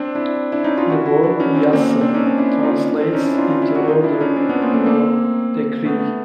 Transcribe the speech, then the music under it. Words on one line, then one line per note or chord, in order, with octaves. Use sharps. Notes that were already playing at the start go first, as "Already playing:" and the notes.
The word Yassa translates into "order" or "decree".
Already playing: C4 D4
D4 E4
D4 E4
C#4 D#4
D#4 F4
E4 F#4
E4 F#4
D4 E4
C#4 D#4
C4 D4
A#3 C4
A#3 C4
C4 D4
C#4 D#4
C4 D4
D4 E4
D#4 F4
C4 D4
C#4 D#4
D4 E4
D#4 F4
D#4 F4
D4 E4
E4 F#4
D#4 F4
D4 E4
C#4 D#4
C4 D4
B3 C#4
A#3 C4
A3 B3
A#3 C4
A3 B3